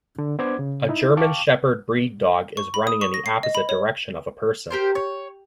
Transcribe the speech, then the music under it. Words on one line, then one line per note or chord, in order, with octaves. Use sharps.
A German sheperd breed dog is running in the opposite direction of a person.
D3
B3 D4 C5 F#5 D6 G#6
C#3
D#4 E4
F5 G5 A5 C#6 D6
C#6
B5
D#6
C#6
A#6
C7
D#5
B5
C#5
G4 A#4 C5
C#5